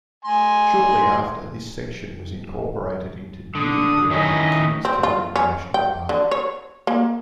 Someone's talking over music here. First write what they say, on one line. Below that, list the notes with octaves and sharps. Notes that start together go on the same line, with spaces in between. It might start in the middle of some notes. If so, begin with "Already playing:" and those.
Shortly after, this section was incorporated into newly created Kings Canyon National Park.
G#5 C6
D3 D#6
D#3 C#4 E4 D#5
C4
F4
C#4
G5
D3
C#5
A#3